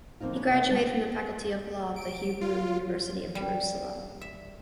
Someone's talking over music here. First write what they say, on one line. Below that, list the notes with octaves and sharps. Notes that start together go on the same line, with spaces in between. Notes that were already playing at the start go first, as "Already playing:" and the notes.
He graduated from the Faculty of Law of the Hebrew University of Jerusalem.
D3 F3 A#3 C4 D#4 F4
C#4 D4 B4 C#5
C3 D#5 F5
D3 G3 G#3 F4 A5
D7
F4
G3
E5